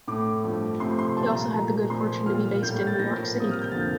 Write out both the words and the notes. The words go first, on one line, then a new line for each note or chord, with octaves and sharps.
He also had the good fortune to be based in New York City.
A2 A3 D6
G2 F3 A3
C3 F3 A3 C6
C6
A#2 G3 A#3 A5
A#5
A#2 F3 A3 A#5
A#2 F3 A3 C6
A#2 G3 A#3 F6
A2 G3 A#3 G6
G6
A6
A2 F3 A#3 A#6
C3 G3 A#3 D#6
F6
G6
F2 D3 F3 A#3 A6